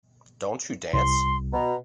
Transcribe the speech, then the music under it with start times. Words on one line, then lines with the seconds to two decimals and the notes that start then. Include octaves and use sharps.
Don't you dance?
0.93 C2 C6
1.53 B2 A#5